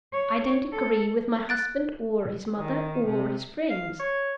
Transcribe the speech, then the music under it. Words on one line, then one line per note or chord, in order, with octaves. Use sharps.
I don't agree with my husband, or his mother, or his friends.
C#5
A4
F#6 A6 D7
D#3
C3
F5
C#5